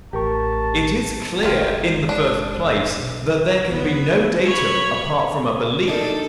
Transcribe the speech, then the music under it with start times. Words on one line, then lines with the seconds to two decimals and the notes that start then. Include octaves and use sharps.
It is clear, in the first place, that there can be no datum apart from a belief.
0.13 A1 G4 A#4 A5 C#6
1.43 F#1 D#3 G#3 D#4 F4
2.09 D4
2.97 B1
3.71 E2 B3
4.46 C#5 B5
5.88 D4 D#4 A4 A#4